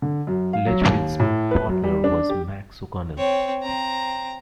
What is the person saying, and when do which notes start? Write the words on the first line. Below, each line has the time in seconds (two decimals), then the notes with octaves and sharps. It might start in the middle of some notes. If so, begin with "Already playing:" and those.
Ledwidge's partner was Max O'Connell.
0.02 D3
0.27 F#2
0.53 F5
0.66 F#3
0.85 D#2
1.20 A2
1.51 B4
1.69 F#2
1.84 G3
2.04 D4
2.29 G4
3.17 C4 C#5
3.62 C4 A#5